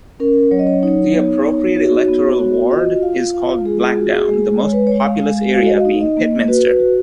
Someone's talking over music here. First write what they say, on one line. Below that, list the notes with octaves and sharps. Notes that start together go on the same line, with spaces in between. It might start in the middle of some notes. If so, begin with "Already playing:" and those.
The appropriate electoral ward is called 'Blackdown', the most populous area being 'Pitminster'.
C#4 A#4
F#3 C#5
D#5
C#5
D#4 C#5
B3
D#4
F#4
B3
F#4
F4 D#5
F4 F5
F4 F5
G#3 G#4
F#4
G#4
G#3
G#3 C#5
B4
G#3 C#5
F5
G#3
F#4 F5
D#5
F5
D#4
D#5
A#3
F#4 B4
F#4